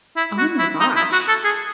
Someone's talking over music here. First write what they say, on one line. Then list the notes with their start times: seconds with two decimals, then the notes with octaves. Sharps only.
Oh my gosh.
0.16 E4
0.38 F#4
0.59 E4
0.80 D#4
0.96 E4
1.12 F#4
1.28 A4
1.44 G#4